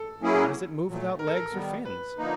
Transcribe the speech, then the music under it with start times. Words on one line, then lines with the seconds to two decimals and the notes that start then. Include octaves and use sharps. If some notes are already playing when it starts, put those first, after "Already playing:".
How does it move without legs or fins?
Already playing: A4
0.22 F#3 A#3 C#4 E4 G#4
0.87 A#2 F#3 A3
1.19 A#4
1.27 A4
1.37 A#4
1.52 D#3 G3 B3
1.85 B4
2.18 D3 F3 A#3 D#4